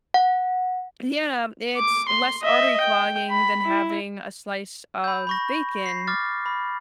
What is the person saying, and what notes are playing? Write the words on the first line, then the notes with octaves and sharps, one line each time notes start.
Yeah, it's less artery clogging than having a slice of bacon
F#5
D6
C6
D#5 E5
G5
B5
E4
B5 G6
B5 C#6 A#6
A#6 C7
D6 F6 A6
B5